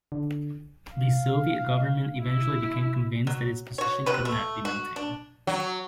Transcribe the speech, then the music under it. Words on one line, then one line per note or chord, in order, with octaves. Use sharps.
The Soviet Government eventually became convinced that its position could not be maintained.
D3
F5
E4
F#3
F#4 C#5
C3 F#3 B4
A3
F#4
D4
F#3